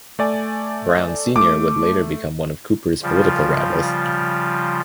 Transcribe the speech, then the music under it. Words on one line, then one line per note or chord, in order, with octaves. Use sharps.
Brown, Senior would later become one of Cooper's political rivals.
A3 D5 G#5
A3 D6
C#3 F3 G3 F4